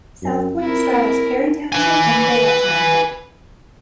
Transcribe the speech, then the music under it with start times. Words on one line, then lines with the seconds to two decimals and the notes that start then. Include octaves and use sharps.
South Point straddles Perry Township and Fayette Township.
0.22 F#2
0.60 C4 E4 A#4
1.72 B4 G#5